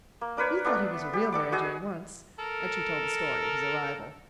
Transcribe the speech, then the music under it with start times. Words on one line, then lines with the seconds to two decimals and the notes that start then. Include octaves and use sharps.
"We thought he was a real Mary Jane, once." And she told the story of his arrival.
0.21 A#3
0.37 D4 A#4 B4 C#5
0.65 A3 B3 D4
1.13 G4
1.32 A4 D5 D6
1.52 F#4 G#4 D#5
2.39 A4 A#4